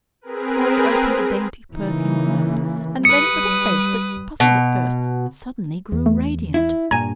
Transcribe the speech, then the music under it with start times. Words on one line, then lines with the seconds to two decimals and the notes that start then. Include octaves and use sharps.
Florrie opened the dainty, perfumed note and read it with a face that, puzzled at first, suddenly grew radiant.
0.21 C4 G#4 A#4 B4
1.75 C#3 E3 A#3 D#4
3.05 G3 B4 D#6 C#7
4.40 B2
5.92 E2
6.06 A3
6.54 E4
6.91 G2 A#2 G#5 A#5 G#6